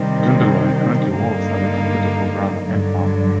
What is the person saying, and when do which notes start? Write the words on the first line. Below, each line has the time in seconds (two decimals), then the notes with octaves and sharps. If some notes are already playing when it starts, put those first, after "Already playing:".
Gunderloy currently works as a computer programmer and farmer.
Already playing: C3 D#3 G3 C4
1.14 G2 D3 G3 A#3 D#4
2.65 G2 D3 F#3